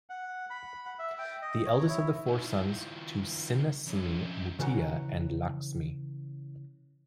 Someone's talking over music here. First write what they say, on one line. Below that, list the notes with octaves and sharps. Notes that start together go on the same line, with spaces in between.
The eldest of the four sons to Sinnasamy Muttiah and Lakshmi.
F#5
B5
F#5
E5
G5
D#5
C#5
E4
D#3 F3
F2 C#4
C#3 E3 A4 C#5 F#5 A#5